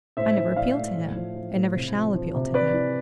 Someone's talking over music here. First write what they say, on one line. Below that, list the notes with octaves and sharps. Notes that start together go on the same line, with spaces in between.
I never appeal to him, and never shall appeal to him.
A2 C5 E5
E3
E3 D5 F5
A2
A2
F3
F3
A2
C3
F3
F3
C3
C3 B4 D5
E3